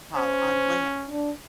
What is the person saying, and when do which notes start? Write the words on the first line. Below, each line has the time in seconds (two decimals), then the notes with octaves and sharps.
while on land
0.16 C#4 C5
1.09 D4